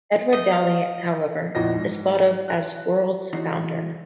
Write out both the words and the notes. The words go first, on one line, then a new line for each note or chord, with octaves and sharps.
Edward Daly, however is thought of as World's founder.
A3 D#5
F5
A#1 E2 F3 D#5 A#6
G#2
F#6
E2 E3 D#4 F#4 C6